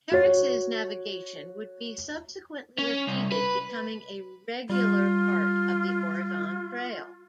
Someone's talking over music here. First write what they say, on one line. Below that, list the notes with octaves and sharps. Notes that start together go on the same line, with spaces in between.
Harris' navigation would be subsequently repeated, becoming a regular part of the Oregon Trail.
F#4 C#5
C#4
C2
B4
G3 F4